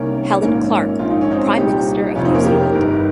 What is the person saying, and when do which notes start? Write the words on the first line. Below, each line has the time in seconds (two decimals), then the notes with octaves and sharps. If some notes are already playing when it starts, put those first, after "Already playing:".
Helen Clark, Prime Minister of New Zealand.
Already playing: C2 C3 D#3 A#3 C#4
0.42 A#1 G#2 D#3 A#3 C#4
0.99 A#1 G#2 D#3 F4
1.10 D#4
1.21 C#4
1.31 C4 D#4
1.58 C2 A#2 D#4 G4
2.15 F1 F2 C3 C#4 F4
2.25 C4 D#4
2.34 A#3 C#4
2.44 G4 A#4
2.73 G1 G2 D#3